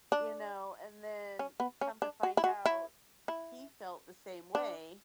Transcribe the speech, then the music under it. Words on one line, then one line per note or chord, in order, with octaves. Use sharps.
you know? And then come to find out, he felt the same way,
D4
C#4
B3
C#4
D4
F#4
E4
F#4
E4
E4
D4